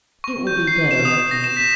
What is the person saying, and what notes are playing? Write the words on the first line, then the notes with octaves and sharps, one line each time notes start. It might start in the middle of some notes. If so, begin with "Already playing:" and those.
"It will be better, I think."
C#6
G6
C7
E7
D#6
A#6
E7
B6